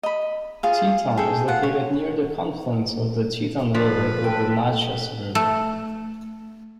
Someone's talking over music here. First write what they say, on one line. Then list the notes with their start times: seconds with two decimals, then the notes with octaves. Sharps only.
Tieton is located near the confluence of the Tieton River with the Naches River.
0.03 D#5 B5
0.63 F4 G#4 F5
1.18 G#4 A4 G5
1.48 F4 F#5
1.63 C#5
3.75 F3 D4 B4
4.24 A4 G5
5.35 A3